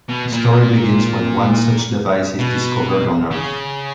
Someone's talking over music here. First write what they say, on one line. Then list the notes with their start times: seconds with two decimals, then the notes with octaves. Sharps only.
The story begins when one such device is discovered on Earth.
0.09 B2
0.32 A#2
2.39 B2
3.31 C#3